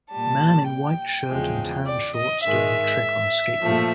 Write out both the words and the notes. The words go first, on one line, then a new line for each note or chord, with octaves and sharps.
Man in white shirt and tan shorts doing a trick on a skateboard.
A#2 G3 A5
G5
E2 C#3 F3 G#3
D5
D#5
G#2 D#3 G#3 E5
A#2 F3 A3